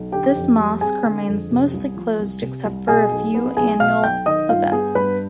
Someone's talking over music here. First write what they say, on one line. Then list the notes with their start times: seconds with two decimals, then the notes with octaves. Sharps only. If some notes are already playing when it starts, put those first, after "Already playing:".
This mosque remains mostly closed except for a few annual events.
Already playing: B1
0.12 D3 G4 G5
0.35 F2
0.58 G3
0.81 C4 G#4 G#5
1.05 D3
1.27 F2
1.51 C3
1.74 C2
1.97 F3
2.19 C2
2.42 C3
2.65 C2
2.88 B2 G#4 G#5
3.12 B1
3.34 B3
3.57 B1 G#4 G#5
3.80 B2 F5 F6
4.03 B1 G5 G6
4.26 D#3 D#5 D#6
4.49 G2 F4 F5
4.72 B3 G#4 G#5
4.95 G2 B4 B5